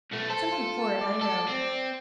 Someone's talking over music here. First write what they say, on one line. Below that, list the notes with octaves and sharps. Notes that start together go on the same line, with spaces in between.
Something horrid, I know.
B1 A3
A4 C5
F4
D5
A4
C4